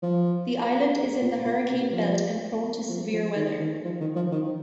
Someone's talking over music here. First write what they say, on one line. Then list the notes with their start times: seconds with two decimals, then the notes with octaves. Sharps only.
The island is in the hurricane belt and prone to severe weather.
0.03 F3
1.22 A#2
1.45 A#2
1.70 C3
1.93 F3
2.89 F3
3.13 F3
3.36 D#3
3.60 D#3
3.84 F3
4.01 D#3
4.16 F3
4.32 D#3